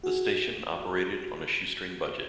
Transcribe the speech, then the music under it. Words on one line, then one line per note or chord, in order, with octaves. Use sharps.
The station operated on a shoestring budget.
F#4 G#4